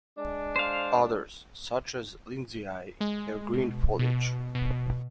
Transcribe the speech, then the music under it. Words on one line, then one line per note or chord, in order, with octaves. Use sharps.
Others, such as 'Lindsayae', have green foliage.
G#3 D4
C5 F5
G#3
B2
B2
B2